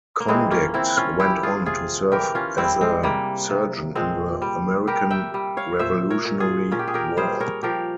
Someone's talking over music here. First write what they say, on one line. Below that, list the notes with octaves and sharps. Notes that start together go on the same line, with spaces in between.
Condict went on to serve as a surgeon in the American Revolutionary War.
A#3
E3 G#3 C4
A#3 C#4
E3 C4 E4
C#4 F4
G3 E4 G4
F4 G#4
C3 F4 G#4
E3 G4 A#4
C#4 F4
G3 C4 E4
G#3 C4
C3 G3 A#3
C3
A#2 G#3 C4
G3
G3 G4 A#4
E5 G5
G3
C#5 F5
A#2 C5 E5
A#4 C#5
A#2
F4 G#4
A#2 C#4 F4
G4
G#4
G4 A#4
G3 G#4 C5
A#4 C#5
F3 G4 A#4